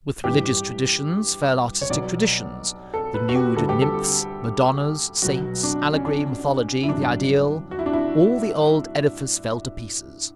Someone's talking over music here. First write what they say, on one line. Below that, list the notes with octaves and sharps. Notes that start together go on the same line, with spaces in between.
With religious traditions fell artistic traditions; the nude nymphs, Madonnas, saints, allegory, mythology, the ideal--all the old edifice fell to pieces.
A1 G2 E3 G4
C#5
B1 B2 F#3 D5
A4
B4
F#4
G4
D2 D3 G3 A4
G4
A4
B1 B2 F#3 F#4
D4
C#4
D4
E4
A1 G2 D3 F#3 D4
F#4
E4
D4
E4